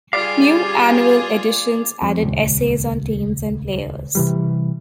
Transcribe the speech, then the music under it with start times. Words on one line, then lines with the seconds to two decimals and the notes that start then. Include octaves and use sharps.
New annual editions added essays on teams and players.
0.13 G3 F4 G4 G#4 D5 F5 D6
2.02 F2
2.23 D#1 C#2
4.15 C3 E3 G3